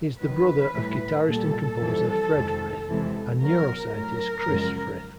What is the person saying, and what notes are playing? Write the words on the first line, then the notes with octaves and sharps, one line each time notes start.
He is the brother of guitarist and composer Fred Frith and neuroscientist Chris Frith.
F#2 D#3 F#3 B4
A2 E3 G3
A#2 G3 A4
F2 C3 E3 G3
F2 C3 D#3 G#3
E2 C3 E3 G#3
B2 F#3 A#4
A2 F#3 A#4
F#2 C#3 F3 G#3